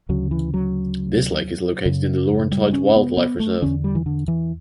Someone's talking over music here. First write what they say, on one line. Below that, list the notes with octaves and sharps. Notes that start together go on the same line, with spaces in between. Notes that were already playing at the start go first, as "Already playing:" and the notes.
This lake is located in the Laurentides Wildlife Reserve.
D2 C#3 F#3
E3
F#3
F#2 C#3
G3
C#4
B3
B3
A3
E2 D3 C#4
G3
E3
D3
E3